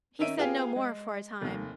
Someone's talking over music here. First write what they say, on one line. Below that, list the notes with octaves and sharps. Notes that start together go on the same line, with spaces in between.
He said no more for a time.
D#3 C#4 D#4 E5 D7 D#7
B3 F4 G4 G#4 F5 G#5
G#3
F1 D#2